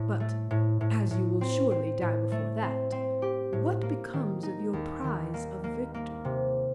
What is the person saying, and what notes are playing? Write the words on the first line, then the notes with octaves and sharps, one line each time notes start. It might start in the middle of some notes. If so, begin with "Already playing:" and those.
But, as you will surely die before that, what becomes of your prize of victory?
Already playing: A2
A3
A2
A2
A2
C4
C4
A2
A3
C4
C4
G4
A2
A#3
D#3
D#4
D#2
D#3
A#3
A#3
A#3
C3